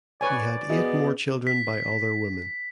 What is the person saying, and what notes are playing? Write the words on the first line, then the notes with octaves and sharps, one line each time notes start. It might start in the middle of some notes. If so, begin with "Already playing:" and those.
He had eight more children by other women.
B4 C#5 D5 G#5
B3 F#4 G#4 D#5
B6